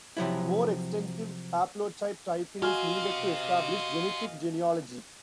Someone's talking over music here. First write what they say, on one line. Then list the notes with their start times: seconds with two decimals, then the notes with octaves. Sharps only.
More extensive haplotype typing is needed to establish genetic genealogy.
0.17 C3 F3 F#3 E4
2.62 F#4 G4 C5 D#5 F5 G#5 F6